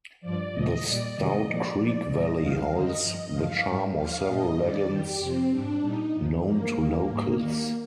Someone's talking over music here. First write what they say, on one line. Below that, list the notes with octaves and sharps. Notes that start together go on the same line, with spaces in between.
The Stout Creek valley holds the charm of several legends known to locals.
G2 F3 D5
A#2 F3 D#5
A#2 G3 D5
F2 C3 D#3 G3 D#5
A#2 F3 D5
A#2 F3 D5
A#2 G3 D#5
F2 D#3 G3 F5
D#2 D3 G3 D#5
G2 F3 D#5
G2 F3 F5
G#2 G3
D#2 D3 F3 F5
A#2 G3 D#5
G2 D#3 G3 D5
F2 D#3 G3 G4
F2 C3 F3 C4
G#2 G3 D4
A#2 G3 D#4
G2 F3
G2 F3 A#3
D#2 D#3 G3
G#2 G3
D#2 D#3 G3 A#3